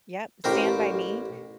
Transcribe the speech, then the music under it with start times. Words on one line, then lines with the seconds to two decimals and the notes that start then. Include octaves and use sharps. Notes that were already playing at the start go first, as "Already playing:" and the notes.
Yep, Stand By Me,
0.44 A1 G4 A#4 C5